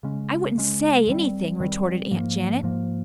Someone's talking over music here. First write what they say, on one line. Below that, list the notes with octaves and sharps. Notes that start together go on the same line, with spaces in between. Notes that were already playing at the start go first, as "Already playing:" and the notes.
"I wouldn't SAY anything," retorted Aunt Janet.
C#3 G#3 C#4
C#3 G#3 C#4
F2 D#3 G3 C4
F2 D#3 G3 C4
G#2 F3 A#3
G#2 F3 A#3